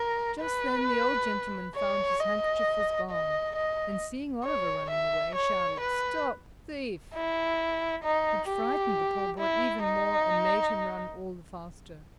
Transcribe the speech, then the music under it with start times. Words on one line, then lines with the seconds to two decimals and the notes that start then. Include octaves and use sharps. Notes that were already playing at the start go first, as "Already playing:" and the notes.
Just then the old gentleman found his handkerchief was gone and, seeing Oliver running away, shouted "Stop thief!" which frightened the poor boy even more and made him run all the faster.
Already playing: A#4
0.41 B4
1.76 C#5
2.20 D#5
3.10 D#5
3.56 D#5
4.44 C#5
4.91 E5
5.35 C#5
5.80 B4
7.15 E4
8.04 D#4
8.49 G4
9.39 E4
9.84 D#4